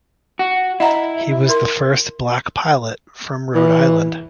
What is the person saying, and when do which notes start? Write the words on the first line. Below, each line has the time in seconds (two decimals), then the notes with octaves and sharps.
He was the first black pilot from Rhode Island.
0.39 F#4
0.80 E4 D#5 F#5 A#5
1.49 A#4 C6
3.55 E3